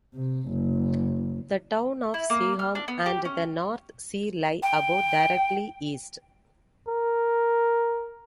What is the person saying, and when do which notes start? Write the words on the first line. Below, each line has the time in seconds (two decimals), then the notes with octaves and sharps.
The town of Seaham and the North Sea lie about directly east.
0.14 C3
0.50 F#1
2.14 E4
2.30 A#3
2.59 F6
2.75 D4
2.88 B3
3.06 G4
3.25 C#4
4.62 G5
6.88 A#4